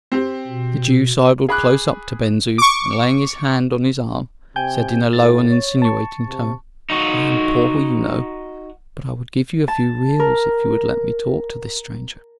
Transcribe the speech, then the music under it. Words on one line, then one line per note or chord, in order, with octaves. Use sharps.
The Jew sidled close up to Ben Zoof, and laying his hand on his arm, said in a low and insinuating tone, "I am poor, you know; but I would give you a few reals if you would let me talk to this stranger."
C4 G4
B2
G#4 B5 D6 F#6
C#6 D6
C3 G5 G#5 G6
A2 A6
C#5
A5 C#6
C3
D#4 F#4
A5
A#4